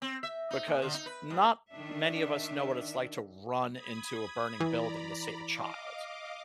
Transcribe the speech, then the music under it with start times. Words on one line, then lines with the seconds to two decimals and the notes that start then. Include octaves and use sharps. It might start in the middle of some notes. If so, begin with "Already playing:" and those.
because not many of us know what it's like to run into a burning building to save a child.
0.02 C4
0.23 E5
0.51 D#4
0.68 A#2
0.82 D3
0.94 D#4
1.06 B4
1.30 G2
1.70 D#3 D4 E5
3.71 B5 D#6 G#6
4.60 E3 D5 A#5 B5
5.49 D#5 F5 D6